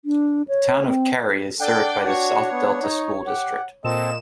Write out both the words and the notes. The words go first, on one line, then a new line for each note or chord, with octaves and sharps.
The town of Cary is served by the South Delta School District.
D4
C#5
C4
D4 A4 D5 F#5 G5
F#4 C#5
B3
D#4
G4 F#5
A#2 C4 A4 D#5 E7